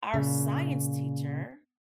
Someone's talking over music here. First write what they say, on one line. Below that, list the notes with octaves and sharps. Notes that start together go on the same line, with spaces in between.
our science teacher
A#2 C#3